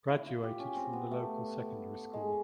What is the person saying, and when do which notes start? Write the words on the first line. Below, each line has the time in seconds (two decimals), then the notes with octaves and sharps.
Graduated from the local secondary school.
0.08 E4
0.26 F4
0.43 G4
0.59 C#4
0.77 C4
0.93 B3
1.11 A3
2.13 G#3